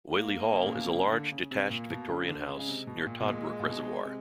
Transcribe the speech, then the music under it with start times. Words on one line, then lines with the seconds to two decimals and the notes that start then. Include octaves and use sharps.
Whaley Hall is a large detached Victorian house near Toddbrook Reservoir.
0.14 A#3
0.53 C#3
0.66 A#2
0.75 B2
0.84 C3
0.92 C#3
1.12 D3
1.32 C#3
1.51 C3
1.70 A#2 A#3
1.90 B2
2.09 C#3
2.28 D3
2.48 C#3 G#3
2.59 C#3
2.68 C3
2.87 B2
3.07 A#2
3.20 B2
3.26 A#2 G#3
3.60 A#2
3.66 B2
4.05 C3